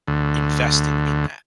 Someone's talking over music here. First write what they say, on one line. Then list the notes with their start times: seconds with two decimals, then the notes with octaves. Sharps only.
investing in that.
0.07 D2